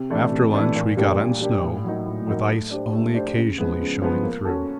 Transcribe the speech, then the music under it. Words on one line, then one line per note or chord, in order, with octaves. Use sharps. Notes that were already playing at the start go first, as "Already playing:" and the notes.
After lunch we got on snow, with ice only occasionally showing through.
Already playing: C3
E3 A3 D4
C3
E3 A3 D4
A#2
G3 A#3 D4 G4
A#2
G3 A#3 D4 G4
A2
F#3 A#3 D#4
A2
F#3 A#3 D#4
A3
D4 G4 C5
A3
D4 G4 C5
C#3
F3 G#3 B3
C#3
F3 G#3 B3
A#3
C#4 F#4 A4